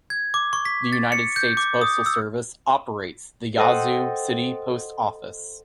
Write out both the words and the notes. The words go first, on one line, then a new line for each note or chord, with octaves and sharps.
The United States Postal Service operates the Yazoo City Post Office.
G#6
D6
C#6
B6
A6
C#7
G6
D6
D#6
E6
A4 C5 D#5 F#5 G5